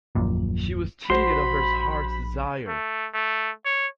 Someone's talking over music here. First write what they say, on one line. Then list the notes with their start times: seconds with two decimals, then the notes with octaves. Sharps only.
She was cheated of her heart's desire.
0.15 D#1 A#1 F#2 A#2
1.10 A#1 F#4 C5 B5 C6 C7
2.68 A3
3.14 A3
3.65 C#5